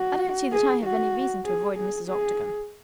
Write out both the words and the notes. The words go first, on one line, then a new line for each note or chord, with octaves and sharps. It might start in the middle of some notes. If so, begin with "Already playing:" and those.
"I don't see that I have any reason to avoid Mrs. Octagon."
Already playing: F#4
G#4
F#4
G#4
G#4
G#4